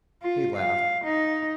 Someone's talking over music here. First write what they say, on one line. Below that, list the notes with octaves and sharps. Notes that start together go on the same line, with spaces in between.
He laughed.
F4
F5
D#4